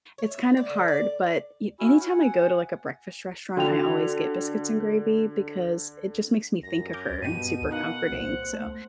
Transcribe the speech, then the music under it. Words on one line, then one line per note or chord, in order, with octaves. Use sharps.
It's kind of hard but y anytime I go to, like, a breakfast restaurant, I always get biscuits and gravy because it just makes me think of her and it's super comforting. So,
C#5
E5
B3
D5
D3
D5
C#4 E4 F#4
F#5 G#5
D3 F#4 G5 F7
F#2 A#6
D6 F6 G6
G2 B2 G4 D#7
D#4 A#4 F5 F#5
C2 A#2 C5
A3